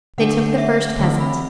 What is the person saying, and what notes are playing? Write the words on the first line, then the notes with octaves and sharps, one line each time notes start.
They took the first peasant.
D3 A3 D4 F#5
E5
D3 A3 C4
B5